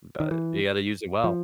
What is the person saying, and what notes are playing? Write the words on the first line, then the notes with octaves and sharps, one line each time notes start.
but you gotta use it well,
D#3
E3
F3